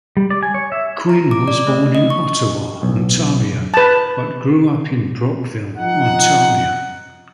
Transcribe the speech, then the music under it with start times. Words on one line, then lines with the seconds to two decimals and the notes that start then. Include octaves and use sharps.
Quinn was born in Ottawa, Ontario, but grew up in Brockville, Ontario.
0.17 G3
0.30 D5
0.43 G#5
0.54 C#5
0.72 E5
1.09 A#5
1.31 D6
1.48 D5
1.67 A3
1.95 D#5
2.10 C#6
2.83 B1
3.74 B4 A5
5.78 F3 D#4 F#5